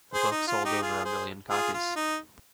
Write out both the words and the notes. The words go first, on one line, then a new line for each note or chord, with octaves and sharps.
The book sold over a million copies.
G#4 C5
D#4
F4
D#4 G4
F4 G#4
G#4 C5
F4 G#4
F4
D#4